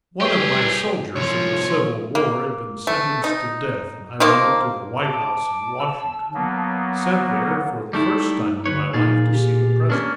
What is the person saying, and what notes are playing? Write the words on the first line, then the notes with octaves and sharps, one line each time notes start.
One of my soldiers in the Civil War had been sentenced to death, and I went up to the White House in Washington--sent there for the first time in my life to see the President.
G3 G4 G#4 B4 C#5
C2 F3 C#5
A#3
A3
D#4
D#3 F3 A#3
A5 D6
E6
F#3 A#3 B3
F#5
G3 A3 D#4 E4
D2 B4 C#5
A#2 D#4 F4 G#4
G4
A#3 C#4 D4 F6